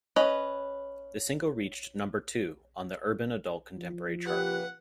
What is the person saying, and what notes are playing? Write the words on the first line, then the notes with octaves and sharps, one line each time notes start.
The single reached number two on the Urban Adult Contemporary chart.
C#4 B4 D#5
F3
A#2 C#3 G4 B4 F#5